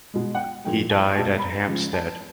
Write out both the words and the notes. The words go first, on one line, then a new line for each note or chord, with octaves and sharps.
He died at Hampstead.
B2 G#3
F#5
G5
A#2 F3 G#3 G5
A5
B2 G#3 A5
B5
A#5
C#3 F3 G#3
A5